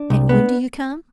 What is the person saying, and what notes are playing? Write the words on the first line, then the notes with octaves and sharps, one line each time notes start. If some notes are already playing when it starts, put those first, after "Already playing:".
"And when do you come?"
Already playing: D4
C2
B3